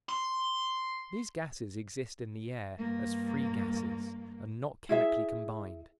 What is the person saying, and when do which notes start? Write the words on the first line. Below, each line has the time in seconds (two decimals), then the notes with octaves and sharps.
These gases exist in the air as free gases and not chemically combined.
0.09 C6
2.78 G2 A#3
4.89 E4 G#4 E5